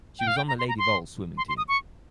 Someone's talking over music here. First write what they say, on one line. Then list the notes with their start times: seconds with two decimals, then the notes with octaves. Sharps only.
She was on the Lady Vols swimming team.
0.19 G5
0.27 F5
0.37 G5
0.48 A#5
0.59 C6
0.68 A#5
0.79 C6
1.38 C6
1.48 C6
1.57 D#6
1.68 C#6